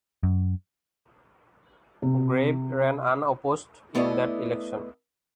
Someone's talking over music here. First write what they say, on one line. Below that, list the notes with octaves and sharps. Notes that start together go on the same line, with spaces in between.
Grabe ran unopposed in that election.
F#2
C3
A3 B3 E4 D5 D#5